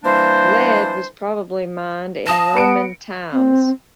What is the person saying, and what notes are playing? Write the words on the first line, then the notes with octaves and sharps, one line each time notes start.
Lead was probably mined in Roman times.
E3 G3 A#3 D4 C5
F5 A5 D#6 A#6
B3 B4 C#7 D7
C4